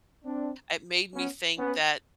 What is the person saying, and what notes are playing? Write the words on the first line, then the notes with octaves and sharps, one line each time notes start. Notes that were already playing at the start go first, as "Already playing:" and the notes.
It made me think that,
C4 D4
B3 C#4
B3 C#4